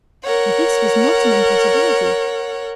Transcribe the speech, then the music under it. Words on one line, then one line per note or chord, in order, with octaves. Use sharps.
And this was not an impossibility.
A#4 C#5 F#5